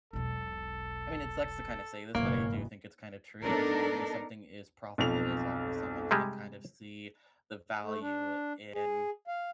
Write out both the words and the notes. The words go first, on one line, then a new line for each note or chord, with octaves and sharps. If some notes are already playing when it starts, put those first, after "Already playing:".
I mean, it sucks to kinda say this, but I do think it's kinda true. As long as something is profitable, as long as someone can kind of see the value in
E1 B1 A4
F#1 F2 G#2 B2 E3 A#3 C#5
B3 D4 D#4 A4 A#4
B1 F2 F7
C3 G3 G#3
A3
D4
G#4
F5